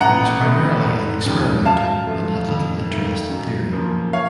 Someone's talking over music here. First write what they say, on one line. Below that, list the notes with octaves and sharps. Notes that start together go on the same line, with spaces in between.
He was primarily an experimenter and had little interest in theory.
A1 F#5 A#5
A2 A3
F1
D#2 C#3 F3
F#2 F5 A5
F3 A3
F2
D#3 A3
F#2
C#3 F3 A#3
C#5 F5